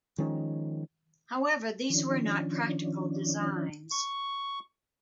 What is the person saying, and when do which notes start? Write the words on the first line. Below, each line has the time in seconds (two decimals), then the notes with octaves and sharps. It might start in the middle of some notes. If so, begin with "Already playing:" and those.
However, these were not practical designs.
0.18 D#3 F3 G#3 C#4
1.90 D#3 F3 C#4 D4
3.91 C#6